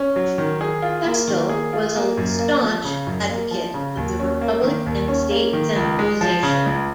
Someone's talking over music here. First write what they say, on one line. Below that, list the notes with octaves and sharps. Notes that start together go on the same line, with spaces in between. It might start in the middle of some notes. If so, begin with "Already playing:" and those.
Pestel was a staunch advocate of the republic and state centralization.
Already playing: C#4
F#3
D#3
G#4
F4
A#3
D#3
G#4
F4
A#3
F#2
A#3
F3
C#3
F#2
A#3
F3
C#3
D#2
C#4
A#3
D#3
D#2
C#4
A#3
D#3
C#2
G#3
F3
C#3
C#2